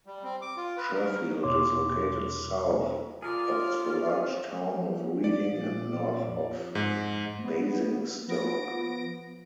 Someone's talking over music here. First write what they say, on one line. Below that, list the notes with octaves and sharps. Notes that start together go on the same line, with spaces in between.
Sherfield is located south of the large town of Reading and north of Basingstoke.
G3
C4
D6
F4
B4
A#4
E2 B2 C#5 C6 D6
F4 G#4 A#4 D5 F6
F3
D5
A#2
F2
G#2
B3
F3 B3 A#6 D7